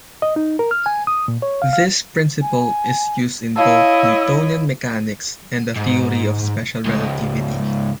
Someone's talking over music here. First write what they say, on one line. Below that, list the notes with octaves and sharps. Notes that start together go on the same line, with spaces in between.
This principle is used in both Newtonian mechanics and the theory of special relativity.
D#5
D#4
A#4
F6
G#5
D#6
A#2
C#5
F5
F5
G#5
E4 C#5 D#5 F5 A5 E6
G#2
C#2 G#2